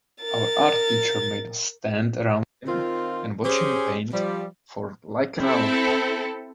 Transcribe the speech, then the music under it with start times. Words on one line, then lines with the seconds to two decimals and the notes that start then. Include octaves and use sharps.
Our art teacher made us stand around him and watch him paint for like an hour.
0.22 A#4 A6
2.67 D#3 C4 F4
3.44 C#4 G4 G#4 C5
4.13 F3 G3
5.39 C4 E4 A4